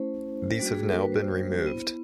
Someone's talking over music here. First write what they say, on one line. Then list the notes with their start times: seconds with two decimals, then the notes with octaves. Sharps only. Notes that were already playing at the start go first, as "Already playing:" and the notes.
These have now been removed.
Already playing: A3 C#4 E4 C5
0.59 G3 A#3 D4 F#4
0.73 G#4
0.83 A4
0.93 A#4
1.03 B4
1.12 C5
1.67 B3 E4